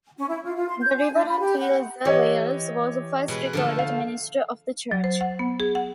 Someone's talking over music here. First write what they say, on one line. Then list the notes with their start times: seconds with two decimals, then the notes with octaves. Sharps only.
The Reverend Eleazer Wales was the first recorded minister of the church.
0.17 C#4
0.29 E4
0.43 F4
0.56 F4
0.69 C6
0.81 G6
0.96 G#5
1.13 D4
1.28 B5
1.39 G4
1.58 F#5
2.05 E3 G4 C#5 D#5
3.28 B2 G#3 B4
3.53 D3 F3 A3
3.79 F5
4.91 F#3
5.04 C5
5.21 F#5
5.39 B3
5.60 G#4
5.75 F#5